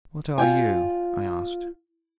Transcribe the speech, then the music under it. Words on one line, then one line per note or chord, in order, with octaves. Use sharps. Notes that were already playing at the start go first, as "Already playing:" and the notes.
"What are you?" I asked.
F4 D5 G5 G#5